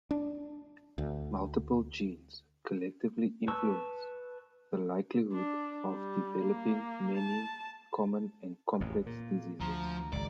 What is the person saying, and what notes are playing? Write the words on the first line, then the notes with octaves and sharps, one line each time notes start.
Multiple genes collectively influence the likelihood of developing many common and complex diseases.
D4
D2
B4 A5 C#6 E6
D4
G3
A#3
A5
A1 F2
A#2 A#3
D2 F3 A#5
G#1 C#2 D5